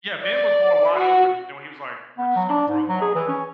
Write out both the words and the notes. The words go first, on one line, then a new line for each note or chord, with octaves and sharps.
Yeah, Ben was more wide open, you know, he was like, "We're just gonna throw the ball"
D5
F#4
B3
F#3
D4
G#2
F#3
G#4
E3
C#4